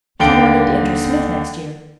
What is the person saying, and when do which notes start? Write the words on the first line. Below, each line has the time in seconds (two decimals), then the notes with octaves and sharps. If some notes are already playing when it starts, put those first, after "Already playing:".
She wanted to enter Smith next year.
0.20 D#2 D3 F5 G5 D7 G7